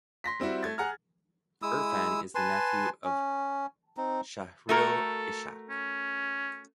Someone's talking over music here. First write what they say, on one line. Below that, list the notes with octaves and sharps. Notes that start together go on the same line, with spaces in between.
Irfan is the nephew of Shahril Ishak.
C6 A#6 B6
G3 C4 E4 F#4
A3 G#6 A6
G#4 F#5 A#5 F6
G#3 E4 D#6 E6
B4 G#5 A5 C6
C#4
C4 D#4
A3 F#4 A4 A#4
C#4